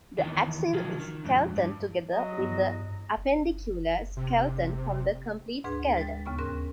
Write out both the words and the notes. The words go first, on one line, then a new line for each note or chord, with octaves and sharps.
The axial skeleton together with the appendicular skeleton form the complete skeleton.
E2 G2 D#3 E3
D#3 F3 F#3
D#3
F2 G#2
G2
F#3 D#5
E2 G2
F#1
C3
D2 G#2 D4 G#4 B4
G#3 G5 A6
D#2 C#3 B3 C#6
G#2 C#4 A#4 F#6